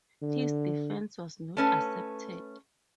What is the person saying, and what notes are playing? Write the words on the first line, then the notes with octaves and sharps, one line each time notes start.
His defence was not accepted.
D3
A3 C#4 B4